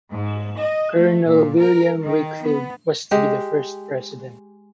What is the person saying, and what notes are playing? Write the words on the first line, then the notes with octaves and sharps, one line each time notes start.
Colonel William Wakefield was to be the first President.
G#2
D#5
A3
A#2
A#4
D#3
B3
G#3 G4